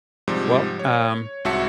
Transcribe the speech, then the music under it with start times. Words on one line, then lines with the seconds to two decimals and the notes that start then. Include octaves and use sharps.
Well, um,
0.28 G#2 C3 F3 G3
0.79 C#5
1.45 C2 G#2 F#4 E5 A5 C#7